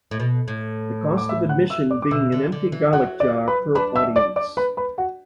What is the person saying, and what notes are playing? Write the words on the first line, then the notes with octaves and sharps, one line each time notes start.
The cost of admission being an empty garlic jar per audience.
A2
B2
A2
D6
E5 E6
F#5 F#6
E5 E6
D5 D6
D6
B2 E5 E6
D3
D3
E3
F#3 F#5 F#6
D5 D6
B4 B5
D4 B4 B5
E5 E6
D5 D6
D5 D6
B4 B5
B4 B5
F#4 F#5